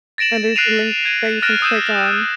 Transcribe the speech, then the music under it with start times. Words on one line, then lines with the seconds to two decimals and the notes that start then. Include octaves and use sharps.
and there's a link that you can click on
0.18 A6 A#6 D7 E7 F#7
0.56 F#6 C7 D7 D#7 F7
1.05 G#6 D#7
1.42 F6 F#6 A6 A#6 D7 E7
1.62 D#6 E6 G6 D#7 E7